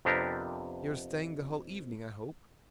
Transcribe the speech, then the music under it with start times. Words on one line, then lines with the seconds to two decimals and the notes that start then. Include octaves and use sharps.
"You are staying the whole evening, I hope?"
0.05 F2 C3 B3 D4 G4 A#4